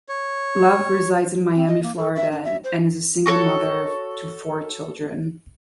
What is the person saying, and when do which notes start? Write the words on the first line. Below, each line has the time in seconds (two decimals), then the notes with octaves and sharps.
Love resides in Miami, Florida, and is a single mother to four children.
0.09 C#5
1.55 C4
1.68 D#5
1.83 A#3
1.98 A4
2.16 E5
2.32 D4
2.45 E5
2.64 C5
3.26 F#4 A4 A#4 C#5